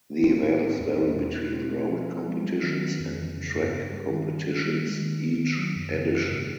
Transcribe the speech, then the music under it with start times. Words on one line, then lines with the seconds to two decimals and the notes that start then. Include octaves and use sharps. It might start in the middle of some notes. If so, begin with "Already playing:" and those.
The events vary between road competitions and track competitions each edition.
0.24 C4
0.43 A2
0.61 A2
0.79 E2
0.98 E2
1.16 B2
1.35 E4
1.53 C4
1.71 A3
1.90 F3
2.08 F3
2.26 G#3
2.44 F#3
2.63 D#3
2.81 B3
3.00 F2
3.19 E3
3.37 C#3
3.55 G2
3.73 G2
3.92 G3
4.10 D#3
4.28 D#3
4.47 G3
4.65 D#3
4.83 G#3
5.02 D#3
5.20 B3
5.39 D#3
5.57 F#3
5.76 F#2
5.94 C#3
6.12 E3
6.31 G#2